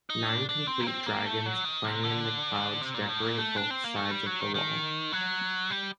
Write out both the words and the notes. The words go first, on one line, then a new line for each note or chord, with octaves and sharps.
Nine complete dragons playing in the clouds decorate both sides of the wall.
D#4
D4
D4
C4
A#3
C4
A#3
A3
F#3
D#3
C3
D3
C3
A#2
A2
A#2
A3
D4
C4
A#3
A3
G3
F#3
D#3
D#3
F#3
G3